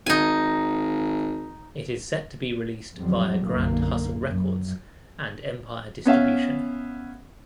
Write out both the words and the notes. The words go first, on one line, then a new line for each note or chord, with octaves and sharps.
It is set to be released via Grand Hustle Records and Empire Distribution.
G#1 D#4 G#5
F2 F#3 G3 C4
B1 F#2 B2 D3 A#3
F#2
B3 C#4 E5 F5